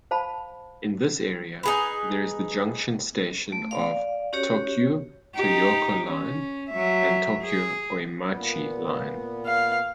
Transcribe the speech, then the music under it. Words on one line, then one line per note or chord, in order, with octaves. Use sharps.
In this area, there is the junction station of Tokyu Toyoko Line and Tokyu Oimachi Line.
C5 F5 A5 B5
D#4 G#4 B4
A3
D5 F5
C#4 F#4 G4 C#5
D#4 G4
C#4
F#3 E5
G#4
A#2 B3
F5